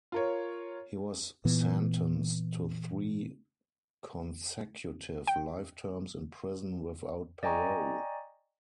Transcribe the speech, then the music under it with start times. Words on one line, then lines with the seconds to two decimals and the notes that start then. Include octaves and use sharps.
He was sentenced to three consecutive life terms in prison without parole.
0.12 F4 A#4 C#5
1.45 A#2 E3 B3
5.27 G5
7.43 D5 D#5 G5 G#5 A#5 C#6